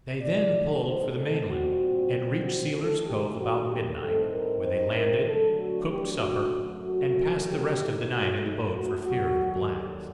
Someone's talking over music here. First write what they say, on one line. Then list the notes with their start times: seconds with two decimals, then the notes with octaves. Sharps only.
They then pulled for the mainland, and reached Sealer's Cove about midnight, where they landed, cooked supper, and passed the rest of the night in the boat for fear of the blacks.
0.21 A2 A3 D#4 D5
0.85 C5
1.16 A4
1.48 A#2 G3 C4 F#4
2.43 F#4
2.74 F#2 D#3 A3 A4
3.05 G4
3.37 F#4
3.69 G4
4.00 A2 G3 C4 D#4 A4
4.32 A#4
4.63 C5
4.95 A#4
5.26 D3 F#3 A3 D4 A4
5.58 F#4
5.89 G4
6.21 F#4
6.53 F#2 F#3 A3
6.84 F#4
7.47 G4
7.79 A2 A3 D#4
8.11 F#4
8.42 D#4
8.74 F#4
9.05 D#2 D3 F#3 F#4
9.68 G4